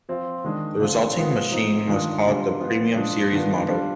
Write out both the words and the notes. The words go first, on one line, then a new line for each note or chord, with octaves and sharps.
The resulting machine was called the "Premium Series" model.
F3 C4 F4
D#3 G#3 D4
D3 F3 C4 F4
F3 G#3 B3 F4
F3 C4 D#4
D#3 G#3 D4 F4
D3 G3 D4 F4
F3 B3 F4
F3 G#3 D4 F4
D#3 B3 D4 F4
G3 D4 F4